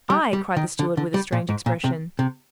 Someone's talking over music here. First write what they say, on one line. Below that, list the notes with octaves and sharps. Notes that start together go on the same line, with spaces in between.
"I," cried the steward with a strange expression.
G3
G3
D#3
D3
D3
G3
A#2
G#2
A#2
C3
C3